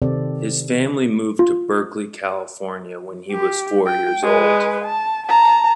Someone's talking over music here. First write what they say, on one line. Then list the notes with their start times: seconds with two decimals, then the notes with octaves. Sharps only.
His family moved to Berkeley, California when he was four years old.
0.02 C3 D#3 C4 A4 D5
1.39 F4
3.31 G4
3.86 G5
4.23 G#3 B4
4.84 A5
5.26 A5 A#5